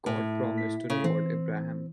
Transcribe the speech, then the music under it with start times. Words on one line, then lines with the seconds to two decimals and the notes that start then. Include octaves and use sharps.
God promised to reward Abraham.
0.06 A2
0.57 B6
0.90 C#3
1.04 E3 C4